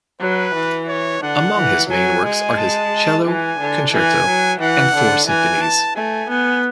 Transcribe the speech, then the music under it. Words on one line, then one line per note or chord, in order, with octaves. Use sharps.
Among his main works are his "Cello" "Concerto" and four symphonies.
F#3 B4
E3
C#5
D3 F#5
E3
F#3 G#5
G#3 G#5
A5
E3 G#5
D3
E3 G#5
F#3
E3 F#5
D3
E3 G#5
A5
A3 G#5
B3 G#5